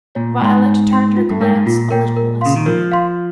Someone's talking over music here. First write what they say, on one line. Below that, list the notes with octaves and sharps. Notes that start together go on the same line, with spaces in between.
Violet turned her glance a little aside.
A#2 C#5
G#2 G5 C6
C#5
G5 C6
F4
G2
G#2 A#4 C#5 G5
G#2
A#2 F4
A#2 A#4 C#5 G5
A#4
C#3 F5 C6
D#3
F3 A#4
F5 C6